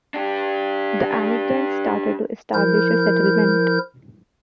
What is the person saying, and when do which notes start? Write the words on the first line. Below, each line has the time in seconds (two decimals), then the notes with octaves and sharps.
The emigrants started to establish a settlement.
0.14 D4 G4
2.54 F3 E4 A#4 G6